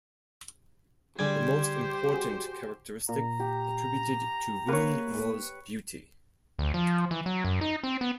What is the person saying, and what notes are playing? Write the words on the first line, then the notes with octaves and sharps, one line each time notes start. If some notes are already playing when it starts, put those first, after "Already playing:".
The most important characteristic attributed to women was beauty.
D3 G3 G4 G#4 C5 G#6
F#4 G#4
A#2 A#5
G4
A#3 B4 C#5
D2
F3
E3
F#3
F#2
D#4
C4
B3